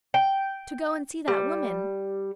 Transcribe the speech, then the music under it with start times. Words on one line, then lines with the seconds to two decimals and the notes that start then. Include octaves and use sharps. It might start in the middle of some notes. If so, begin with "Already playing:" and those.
"To go and see that woman."
0.14 G5
1.28 G3